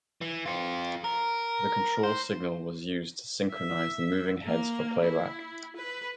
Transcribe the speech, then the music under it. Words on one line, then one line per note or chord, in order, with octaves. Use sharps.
The control signal was used to synchronize the moving heads for playback.
E3
C4 F4
A#4
C5
E5
A#3
E4
B4